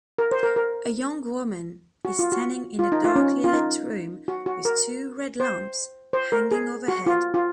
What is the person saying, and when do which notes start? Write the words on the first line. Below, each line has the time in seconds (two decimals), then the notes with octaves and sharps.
A young woman is standing in a darklylit room with two red lamps hanging overhead.
0.18 A#4
0.32 C5
0.43 A#4
0.56 A#4
2.05 F#4
2.19 F4
2.32 F#4
2.79 F4
2.92 D#4
3.04 F4
3.16 C#4
3.44 F4
3.53 D#4
4.28 F#4
4.46 F#4
4.65 A#4
5.40 C5
6.13 C5
6.32 A#4
6.51 G#4
6.88 F#4
7.06 F4
7.34 F4